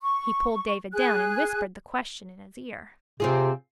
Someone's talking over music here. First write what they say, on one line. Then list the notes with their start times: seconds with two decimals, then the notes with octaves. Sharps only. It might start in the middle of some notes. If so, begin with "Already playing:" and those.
He pulled David down and whispered the question in his ear.
0.02 C#6
0.94 G#4 G#5 F#6
3.20 C3 C4 F4 G#4